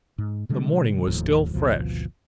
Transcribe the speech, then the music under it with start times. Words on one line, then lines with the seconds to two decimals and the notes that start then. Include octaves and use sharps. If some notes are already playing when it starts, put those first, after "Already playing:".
The morning was still fresh.
0.18 G#2
0.49 B2 D3 G3 G#3
1.07 D#1 D#2 A2 F3
1.53 G#1 D2 B2 F3